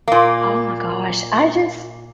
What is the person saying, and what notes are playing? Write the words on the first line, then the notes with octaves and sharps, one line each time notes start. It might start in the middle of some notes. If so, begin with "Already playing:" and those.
Oh my gosh, I just
A#2 A#3